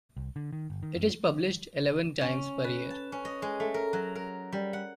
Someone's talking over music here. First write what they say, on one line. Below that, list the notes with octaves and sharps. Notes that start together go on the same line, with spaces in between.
It is published eleven times per year.
C2
D3
D#3
G1
D#3
F#2
C#4
B4
A5
C#4
D#5
G#3
A3
A#4
F#3
A#4
G3
F#5